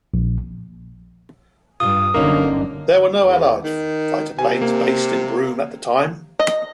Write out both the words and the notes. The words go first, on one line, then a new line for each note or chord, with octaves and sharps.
There were no Allied fighter planes based in Broome at the time.
A#1
G2 F4 D#6
G1 F#2 D3 A#3 C#4 D#4 A#4
E2
D#3
C3 G#5
A#3
D#5